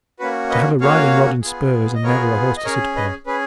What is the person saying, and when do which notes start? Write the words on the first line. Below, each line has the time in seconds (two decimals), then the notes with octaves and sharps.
To have a riding-rod and spurs, and never a horse to sit upon!
0.19 A#3 C#4 F#4 B4
0.50 B4 D#5
0.81 A#3 C#4 F#4 C#5 F5
1.42 B3 F4 G#4
1.95 D#5
2.03 B3 F4 G#4 A#4 C#5
2.57 D#5
2.65 C#4 G#4 A#4 C#5
2.96 B4 D#5
3.26 C#4 G#4 B4